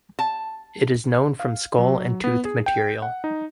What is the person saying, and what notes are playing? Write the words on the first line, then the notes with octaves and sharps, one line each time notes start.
It is known from skull and tooth material.
A5
F5
F#3
B3
G#4
G5
F#5
D#4